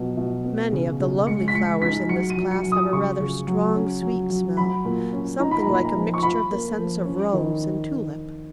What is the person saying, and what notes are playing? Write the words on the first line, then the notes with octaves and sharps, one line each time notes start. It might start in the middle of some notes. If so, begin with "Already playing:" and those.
Many of the lovely flowers in this class have a rather strong, sweet smell, something like a mixture of the scents of Rose and Tulip.
Already playing: B2 F#3
B2
B3
C#3
C#3
G#3 C#7
B6
G#3 C#7
D#4 B6
F#3 C#7
D#7
F#3
C#7
F#3
D#6
C#3 C#6
C#3
F#3
C#4
F#3
F#3
F#3 B5
A#2
C#4
D#4 A#5
B5
A#2 A#5
B5
A#5
F3
C#6
F4 B5
A#3
F3
C#4
D#3